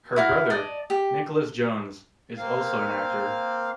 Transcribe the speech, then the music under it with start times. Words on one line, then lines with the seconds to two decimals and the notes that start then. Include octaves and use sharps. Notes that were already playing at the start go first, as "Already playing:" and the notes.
Her brother, Nicholas Jones, is also an actor.
0.16 E4 F#4 F5
0.50 D5 D#5 A5
0.90 G4
2.36 A#3 C4 F5